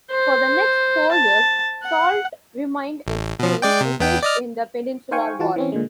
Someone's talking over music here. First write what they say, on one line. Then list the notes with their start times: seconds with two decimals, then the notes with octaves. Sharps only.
For the next four years Soult remained in Spain engaged in the Peninsular War.
0.11 C5
1.12 A5
1.83 F#5
3.07 A1
3.39 B2 F3
3.62 G#3 D5 G5
3.81 C3
4.00 E2 B3 G5
4.23 D5 D#5 F6
5.11 D#4 C5 F5 G5 G#5 C#6
5.39 E3 F4 F#4 A5
5.56 E3 C4 C#4
5.72 A#2 D3 G#3